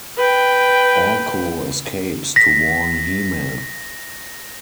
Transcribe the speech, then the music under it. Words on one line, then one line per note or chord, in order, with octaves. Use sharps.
Orko escapes to warn He-Man.
B4 G5
A#6 B6